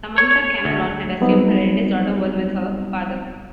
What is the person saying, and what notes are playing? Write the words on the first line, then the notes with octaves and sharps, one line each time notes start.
Samantha Cameron had assumed her eldest daughter was with her father.
C#5
C#5
D2
F#3 G3 B3 C4 D#4